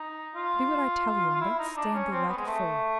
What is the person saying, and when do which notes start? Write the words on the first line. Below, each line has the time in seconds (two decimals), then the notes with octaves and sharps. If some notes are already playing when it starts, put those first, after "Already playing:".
"Do what I tell you, and don't stand there like a fool."
Already playing: D#4
0.35 F4
1.35 F4
1.41 E4
1.59 D#4
1.76 D4
1.94 C#4
2.11 C4
2.29 B3
2.38 G#3
2.47 A3